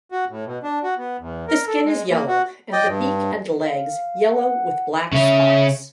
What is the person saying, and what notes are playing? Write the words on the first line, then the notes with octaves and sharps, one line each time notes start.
The skin is yellow, and the beak and legs yellow with black spots.
F#4
A2
B2
D4
F#4
B3
E2
A#4
A4
G#3
A#3
F#4
D5 D#5 G5
G2
F5
F#5
C#3 C#4 E5